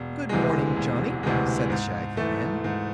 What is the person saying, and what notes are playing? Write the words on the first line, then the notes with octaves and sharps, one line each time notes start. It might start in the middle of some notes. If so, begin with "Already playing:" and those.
"Good morning, Johnny," said the shaggy man.
Already playing: E1
D2 C3 E3 G#3
E1
D2 C3 E3 G#3
G#2
E3 A3
G#2